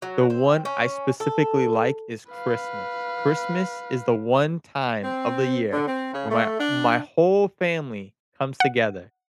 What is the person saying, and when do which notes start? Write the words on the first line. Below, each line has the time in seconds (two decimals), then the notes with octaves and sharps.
the one I specifically like is Christmas. Christmas is the one time of the year where my my whole family comes together.
0.02 F#3
0.30 C4
0.65 C#4
1.20 A4
2.31 B4 F5
5.03 C4
5.72 D3
5.87 C4
6.13 C#3
6.30 A3
6.59 D4
8.60 F#5